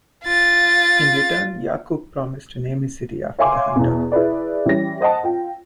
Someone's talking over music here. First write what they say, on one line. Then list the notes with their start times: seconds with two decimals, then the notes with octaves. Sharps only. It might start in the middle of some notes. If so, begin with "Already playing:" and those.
In return Yaqub promised to name his city after the hunter.
0.25 F4 A6
3.39 C#5 E5 F5 G#5 C6 D6
3.75 E2 B2
4.12 E4 G#4 B4 D5
4.66 E3 G3 C#4 A#6
5.00 C5 D#5 F#5 A5
5.23 F4 G5